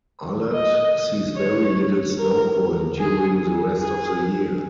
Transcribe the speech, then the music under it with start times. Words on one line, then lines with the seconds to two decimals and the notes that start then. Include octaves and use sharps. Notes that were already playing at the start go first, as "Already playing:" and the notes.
Alert sees very little snowfall during the rest of the year.
0.54 D#5
1.37 C#5
2.18 A#4
2.99 G#4
3.81 G#4